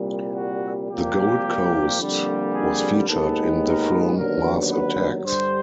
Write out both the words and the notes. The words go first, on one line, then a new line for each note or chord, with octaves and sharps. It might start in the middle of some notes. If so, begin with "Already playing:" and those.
The Gold Coast was featured in the film Mars Attacks.
Already playing: C2 A#2 G3
F#4
C2 A#2 F3 A#3 G4
F2 D3 G3 A#3
G#4
D#2 D#3 G#3 B3 A4
A#4
D#2 D3 F#3 B3 A#4
B4
G2 D3 G3 C5